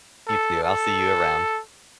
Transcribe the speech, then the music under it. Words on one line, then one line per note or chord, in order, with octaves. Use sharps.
You too. I'll see you around.
A4
A4